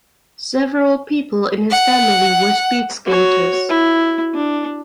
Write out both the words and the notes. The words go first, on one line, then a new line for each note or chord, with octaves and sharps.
Several people in his family were speed skaters.
F#5
F#4 C#5
E4
D4